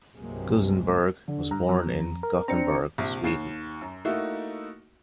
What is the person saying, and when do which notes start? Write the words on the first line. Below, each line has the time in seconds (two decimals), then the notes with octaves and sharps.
Kusenberg was born in Gothenburg, Sweden.
0.14 C2 G2 C3 F#3 G#3 A#3
1.28 D3
1.51 G2 A#5
1.69 F2
2.23 A#4
2.48 C4 D4 A#5 C#7
2.98 A#1 C3
3.24 D#2 C7 E7
3.81 F#2
4.05 A3 A#3 D#4 E4 F#4